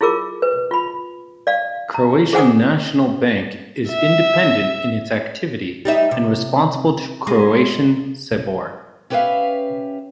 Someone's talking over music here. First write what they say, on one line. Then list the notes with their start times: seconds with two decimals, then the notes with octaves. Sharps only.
Croatian National Bank is independent in its activity and responsible to Croatian "Sabor".
0.01 E4 F4 G#4 A#4 D6
0.42 B4
0.71 F4 B5
1.47 D5 F5
1.94 A#5
2.33 G#4 C5 F#5 G#5 D6 D#6
3.90 E5
5.85 G3 D#4 E5
6.11 C3
7.27 G#3
9.10 C#4 G4 B4 C5 E5 F5